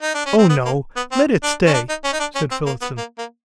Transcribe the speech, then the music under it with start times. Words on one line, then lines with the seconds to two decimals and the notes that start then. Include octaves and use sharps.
"Oh no--let it stay," said Phillotson.
0.02 D#4
0.14 D4
0.26 C#4
0.38 C4
0.50 B3
0.65 A#3
0.96 B3
1.12 C4
1.43 D4
1.66 C#4
1.74 D4
1.89 D#4
2.04 C#4
2.13 D#4
2.20 D4
2.35 C#4
2.51 C4
2.66 A#3
2.82 B3
2.98 A#3
3.18 A#3